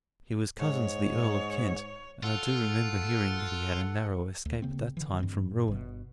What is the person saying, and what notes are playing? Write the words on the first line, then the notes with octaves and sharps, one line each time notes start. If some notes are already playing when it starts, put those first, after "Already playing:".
He was cousin to the Earl of Kent, and I do remember hearing that he had a narrow escape at that time from ruin.
G#2 C#5
F4 A4 F#5
D2
C#3 A#3 C4
D3 E3
G2 E3 C4
G1 B2